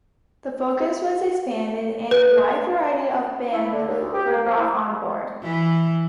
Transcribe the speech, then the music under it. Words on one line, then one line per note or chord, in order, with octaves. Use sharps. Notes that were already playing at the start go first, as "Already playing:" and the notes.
The focus was expanded and a wider variety of bands were brought on board.
B4
E4
D3
D#2
D2
G4
A#3
F3
E4
E3